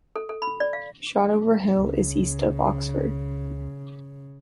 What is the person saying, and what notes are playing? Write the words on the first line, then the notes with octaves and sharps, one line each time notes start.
Shotover Hill is east of Oxford.
A4
A4
B5
D5
F5
C#2 C#3